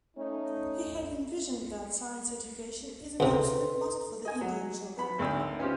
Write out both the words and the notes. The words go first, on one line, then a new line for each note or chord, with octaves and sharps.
He had envisioned that science education is an absolute must for the Indian children.
A3 C#4 D#4
C#2 C3 A4 B4 C6
D#5 G#5
F#3
B3 B5
G#1 D2 D#4 A#4 E6
B3 C#4 D#4 F4 G4 C5